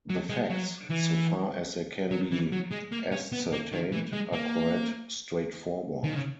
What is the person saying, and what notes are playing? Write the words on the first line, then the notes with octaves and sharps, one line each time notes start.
The facts, so far as they can be ascertained, are quite straightforward.
F#3
G#3
F#3
E3
F#3
E3
F#3
G#3
A#3
C#4
B3
A#3
D#3
E3
G#3
A#3
D#3
C#3